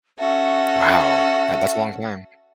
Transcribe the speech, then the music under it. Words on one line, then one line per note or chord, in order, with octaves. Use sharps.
Wow. That that's a long time.
C#4 F#4 A4 E5